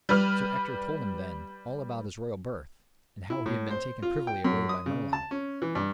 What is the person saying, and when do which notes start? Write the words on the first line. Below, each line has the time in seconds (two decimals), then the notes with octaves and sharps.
Sir Ector told him, then, all about his royal birth, and how he had been taken privily away by Merlin.
0.09 G3 B4 F6
3.30 E4
3.46 A2
3.71 C5
4.02 F4
4.27 G5
4.44 F#2
4.69 D#6
4.86 C#3
5.13 A5
5.31 C#4
5.62 E3
5.75 G2